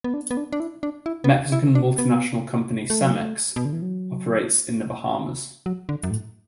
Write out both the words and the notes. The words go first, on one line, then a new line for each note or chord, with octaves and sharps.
Mexican multinational company Cemex operates in the Bahamas.
B3
D4
B3
D4
D4
E4
D4
E4
B3
D4
E4
D4
B3
A3
F#3
A3
B2
D3
E3
F#3
F#3
D3
F#2
A2